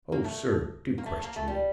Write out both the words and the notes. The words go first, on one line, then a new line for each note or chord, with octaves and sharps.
"Oh, sir, do question me!"
A#3
A3
A#3
A3
A#3
A3
G3